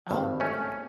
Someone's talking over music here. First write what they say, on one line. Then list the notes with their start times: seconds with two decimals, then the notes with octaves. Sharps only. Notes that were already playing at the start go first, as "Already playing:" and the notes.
Oh, okay,
0.11 G#1 G2
0.40 A3 C#4